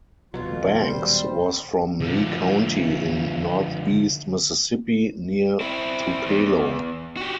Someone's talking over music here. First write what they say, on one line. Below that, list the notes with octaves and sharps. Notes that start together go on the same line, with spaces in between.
Banks was from Lee County in northeast Mississippi, near Tupelo.
D#1 F2 B2 F#3 F4
G3 C5
D3 F3
C4 E4
E2
F#4 G4